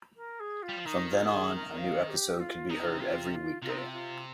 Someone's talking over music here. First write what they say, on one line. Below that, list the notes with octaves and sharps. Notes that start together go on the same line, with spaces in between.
From then on, a new episode could be heard every weekday.
A#4
G#4
F4
G3
F3
D#3 D#4
F4
G#4
A#4
F5
G4
F4
C3 D#4
F4
F4
C3 F4
D#4
F4
F4